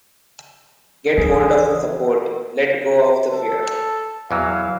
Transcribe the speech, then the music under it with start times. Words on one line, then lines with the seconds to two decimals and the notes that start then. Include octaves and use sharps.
Get hold of a support - let go of the fear.
1.18 E3 G#4
3.31 A4
4.31 E2 E3 F#3 F5